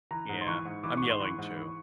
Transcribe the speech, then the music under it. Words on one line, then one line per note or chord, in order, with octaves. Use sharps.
Yeah, I'm yelling too.
E3 A#5
G#2
C6
E3 C#6
G#2
E3 D6
G#2 C#6
C6
E3 C#6
G#2
E3